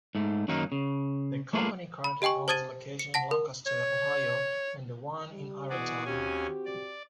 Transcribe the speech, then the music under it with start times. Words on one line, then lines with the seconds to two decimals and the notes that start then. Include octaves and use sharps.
The company currently owns the location in Lancaster, Ohio and the one in Ironton.
0.15 G#2 A3
0.48 F#2 D#3 F#3 A#3 D#4
0.72 C#3
1.53 A3 A#3 F4 G#4 B4
2.04 B5
2.22 G4 D#5 G5 G#5 C#6
2.48 C5 A5 D#6 G#6 A6 D#7
2.99 C#7
3.14 F#5 A5 A#6
3.31 A#4
3.66 C#5
5.30 G3
5.70 B2 E3 F#4 G#4 D5
6.05 D#2 C4 C#4 F#4 G4 G#5
6.65 D5